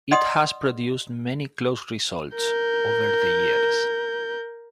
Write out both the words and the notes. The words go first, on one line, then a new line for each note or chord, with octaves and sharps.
It has produced many close results over the years.
D5 D#5 F#5 C6 D#6
A#4 G6